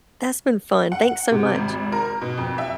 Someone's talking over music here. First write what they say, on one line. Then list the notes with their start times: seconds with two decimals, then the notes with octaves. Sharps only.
that's been fun, thanks so much.
0.92 F#5
1.31 C3
1.55 G#1
1.92 A#4
2.21 B2
2.37 F2
2.58 E5